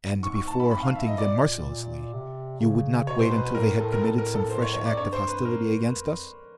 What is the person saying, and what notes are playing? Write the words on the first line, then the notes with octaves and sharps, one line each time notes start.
"And before hunting them mercilessly, you would not wait until they had committed some fresh act of hostility against us?"
G#2
C#6
C#6
A5
B5
B5
F5
E5
D#5
A#2 D5
A#2
C3
C#3
B2 C#5
C5
B4
B4
A2 A#4
A4
A#4
A4
A#4
A4
C5
C#5
C#5
D5
G2 C#5
C5
B4
A#4
A2
G#2
G2
F#2
F2